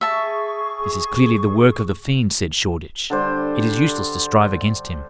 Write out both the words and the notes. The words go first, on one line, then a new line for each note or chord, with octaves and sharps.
"This is clearly the work of the fiend," said Shoreditch; "it is useless to strive against him."
G#4 E5 A5 C#6
D3 G3 C5